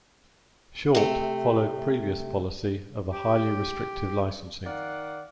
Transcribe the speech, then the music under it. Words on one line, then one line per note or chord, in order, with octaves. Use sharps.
Shortt followed previous policy of a highly restrictive licensing.
C3 A3
G4
D#3 D5 F5 F#5